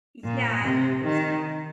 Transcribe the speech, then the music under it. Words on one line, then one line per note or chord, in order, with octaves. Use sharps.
Yeah, that's true.
A#2
C3
D#3